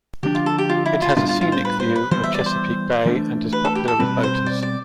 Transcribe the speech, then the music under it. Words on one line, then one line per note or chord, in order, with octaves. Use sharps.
It has a scenic view of Chesapeake Bay and is popular with boaters.
D3 F3 A3 D4 G4
F4
A4
G4
F4
E4
F4
A2 G3 B3 D4 F4
F4
F4
C5
B4
C5
B4
E3 G3 B3 C5
E5
D5
C5
E3 A3 D4
B4
A4
G4
A4
B2 G3 C4 B4
C5
D5
D5